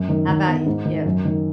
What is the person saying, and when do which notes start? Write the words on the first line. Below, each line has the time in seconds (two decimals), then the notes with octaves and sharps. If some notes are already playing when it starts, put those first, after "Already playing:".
How about you?
Already playing: F#2
0.09 D#3
0.28 D#3
0.47 B3
0.66 G#2
0.86 D#3
1.05 F#2
1.25 D#3